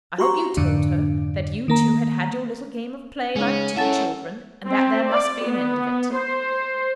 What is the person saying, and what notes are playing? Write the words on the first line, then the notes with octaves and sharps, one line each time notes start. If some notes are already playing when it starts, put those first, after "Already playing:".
"I hope you told her that you two had had your little game of play, like two children, and that there must be an end of it."
F#4 G4 A#5 C6 C#6
F2 G#2 D3 D4
D#3 A#3 A#5
C#3 G#3 C#4 D#4
C#4 E4 A4 A#4 E5 F#5 A5 A6
C4
D5
B3
C5